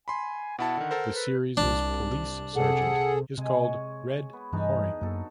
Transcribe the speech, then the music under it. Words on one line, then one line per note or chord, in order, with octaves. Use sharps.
The series' police sergeant is called "Red" Hoerring.
G#5 B5 C6
B2 E4 F#5 A5
D3 D#3
A4 A#4 C5
B4
C2 D4
C3 G#4 A4 F#5
C3 G#3 G#5
C#5
B3
G2 E3 G3 D4 D#4 G#4
F#2 F#3 A#3 A4